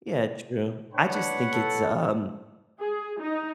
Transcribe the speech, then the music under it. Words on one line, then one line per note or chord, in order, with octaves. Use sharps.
Yeah, true. I just think it's, um,
D4 B4 C#5 F#5
A4
G#4
D#4